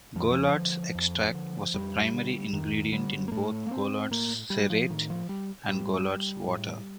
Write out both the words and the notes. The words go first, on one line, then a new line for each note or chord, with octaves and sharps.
Goulard's Extract was a primary ingredient in both Goulard's Cerate and Goulard's Water.
F2 F3
D#3
F3
D3
F2
D3
F2 G3
D3
F2 D#3
D3 G3
A#3
A2 A3
A#3
C4
A2 A#3
G3
F3
A2 D#3
F3
G3
A2 G3
A2